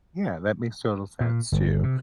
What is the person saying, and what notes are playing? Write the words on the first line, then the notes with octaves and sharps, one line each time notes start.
Yeah, that makes total sense too.
A#2
G1
C3